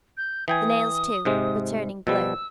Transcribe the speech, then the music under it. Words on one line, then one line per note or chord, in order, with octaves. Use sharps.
The nails, too, were turning blue.
G6
E3 G5 G#5 D#6
G#2 C3 G#3
B2 F3 G3 E6